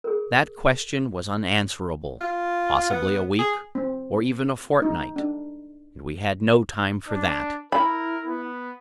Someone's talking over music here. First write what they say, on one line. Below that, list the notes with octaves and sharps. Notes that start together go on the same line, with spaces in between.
That question was unanswerable; possibly a week, or even a fortnight, and we had no time for that.
G#4 A#4
F4
B3
G#4
C4
D#4
D4
D4
E4 A#4 B5
B3